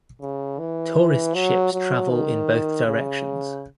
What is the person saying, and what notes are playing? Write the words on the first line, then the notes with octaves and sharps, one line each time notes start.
Tourist ships travel in both directions.
C#3
E3
F#3
F#3
D#3
C#3